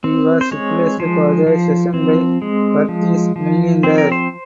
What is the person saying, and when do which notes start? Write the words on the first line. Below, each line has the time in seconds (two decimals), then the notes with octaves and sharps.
He was replaced for the season by Curtis Millender.
0.04 C4
0.41 C5
0.51 G#3 C#5
1.00 F3 C5
1.46 F3
1.94 C4
2.42 G#3
2.89 F3
3.36 F3
3.83 C4 C5
3.98 A#4
4.12 C5